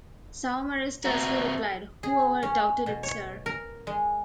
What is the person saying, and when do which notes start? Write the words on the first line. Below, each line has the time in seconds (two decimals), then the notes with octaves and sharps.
Saumarez tersely replied Whoever doubted it, sir?
1.05 A3 B3 C4 F#4 A#5
2.03 G#4
2.43 C#4
2.86 B2
3.03 C#5
3.46 A#4
3.87 G#3